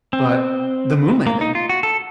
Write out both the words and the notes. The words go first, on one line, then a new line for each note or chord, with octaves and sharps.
but the moon landing.
C4
A#3
D#4
F4
F#4
A4